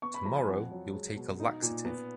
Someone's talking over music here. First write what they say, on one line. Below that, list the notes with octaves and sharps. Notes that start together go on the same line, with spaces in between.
Tomorrow, you’ll take a laxative.
B3 C#6
B5
F3 A#5
G#5
F2 F#5
F#3
G#3
B2
D#4
A#2
B3